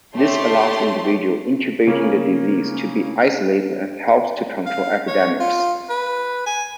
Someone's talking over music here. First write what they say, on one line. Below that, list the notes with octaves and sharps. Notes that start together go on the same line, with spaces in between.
This allows individuals incubating the disease to be isolated and helps to control epidemics.
A3 G4 C#5 A5 C6
C#3 A#3 C#4
F5
C#5
F4
B4
G#5